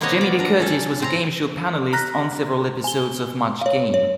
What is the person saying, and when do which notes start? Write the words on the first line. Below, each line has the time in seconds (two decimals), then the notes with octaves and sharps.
Jamie Lee Curtis was a game-show panelist on several episodes of "Match Game".
0.01 C3 A#3 B3 F#4 C#5 D#5
0.21 D5
0.39 D4 A#5
0.60 C#4 A4
1.00 A2 C4 A#5
1.93 A#5 F6 F#6 A#6 B6
2.84 G#5 G7
3.61 C#5 F5
3.94 C#5